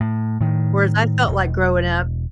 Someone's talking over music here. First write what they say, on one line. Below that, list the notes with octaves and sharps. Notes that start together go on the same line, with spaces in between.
Whereas I felt like growing up,
A2
A2 D#3
E1